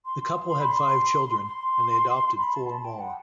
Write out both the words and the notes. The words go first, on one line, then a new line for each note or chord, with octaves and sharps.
The couple had five children, and adopted four more.
C6
C6
B5
C6
C6
B5
A5
A5
A5
G5
F#5